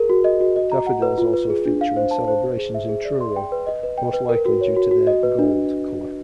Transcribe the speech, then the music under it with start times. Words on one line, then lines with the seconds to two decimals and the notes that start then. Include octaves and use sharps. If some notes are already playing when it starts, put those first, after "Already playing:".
Daffodils also feature in celebrations in Truro, most likely due to their 'gold' colour.
Already playing: G#4 A#4
0.10 F#4
0.24 D#5
0.41 F#4
0.56 D#5
0.72 A#5
0.87 F#5
1.02 B4
1.18 F4
1.33 B4
1.50 G#4
1.66 D4
1.81 F5
1.96 C5
2.11 A5
2.28 C5
2.43 C5
2.58 G#4
2.74 E5
2.89 G#4
3.05 D5
3.21 C6
3.36 G5
3.52 B4
3.67 D#5
3.83 B4
3.98 G5
4.13 B4
4.29 A#4
4.45 F#4
4.61 C#5
4.76 F#4
4.91 F#4
5.07 D#5
5.23 B4
5.39 D4